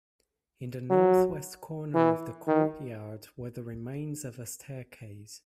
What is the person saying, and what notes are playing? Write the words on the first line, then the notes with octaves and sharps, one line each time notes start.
In the north-west corner of the courtyard were the remains of a staircase.
F#3
E3
D#3